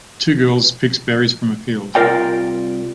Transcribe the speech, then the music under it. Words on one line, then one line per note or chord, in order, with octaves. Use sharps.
Two girls picks berries from a field.
C2 F4 A#4 D5 G5